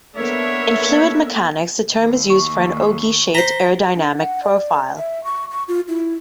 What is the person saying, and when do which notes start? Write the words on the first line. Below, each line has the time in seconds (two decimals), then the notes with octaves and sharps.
In fluid mechanics, the term is used for an ogee-shaped aerodynamic profile.
0.16 A#3 B3 D4 A4 A#4 C#5 E5
1.95 D#2
2.30 C#6
3.35 C5 A#5 B6 G7
3.95 D4
4.17 F#5
4.43 D5
4.98 E5
5.24 C#6
5.51 C#6
5.68 F4
5.88 E4